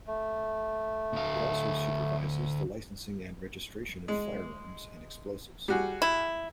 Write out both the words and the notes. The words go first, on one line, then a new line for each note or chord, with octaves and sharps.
It also supervises the licensing and registration of firearms and explosives.
A3
D2 F5
G#3
G3 F#4 G#4
E4